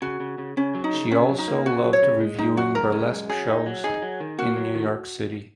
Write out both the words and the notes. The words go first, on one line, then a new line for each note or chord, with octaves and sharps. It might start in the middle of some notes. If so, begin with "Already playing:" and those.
She also loved reviewing burlesque shows in New York City.
C#3 F#4
C#3
C#3
C#3 C#4
F#3
D#4
C#3
C#3 C#4
F#3
D#4
A#3
C#3 F#4
F#3
C#5
C#3
G#3
F#2 D#4
F#2 F#4
C#3 A#4
G#3
F#2
F#3 G#4
D#4
F#3
D#4 G#4
F#3
D#3
A#3 F#4
F#3
D#3